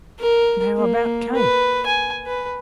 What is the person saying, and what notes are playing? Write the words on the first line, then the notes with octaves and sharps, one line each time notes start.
'And how about Kate?'
A#4
A#3
B4
G#5
B4